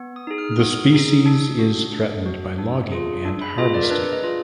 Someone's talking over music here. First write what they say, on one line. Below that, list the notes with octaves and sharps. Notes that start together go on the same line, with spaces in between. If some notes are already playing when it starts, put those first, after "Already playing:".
The species is threatened by logging and harvesting.
Already playing: B3
D#6
D#4 G#4
F6
F6
B3 D#6
D#4 G#4
D4
F#4
D4
F#4
D4
F4 G#4
D4
B5
F4 G#4 D#5
D5
A#4
D4 B4
D#5
F4 G#4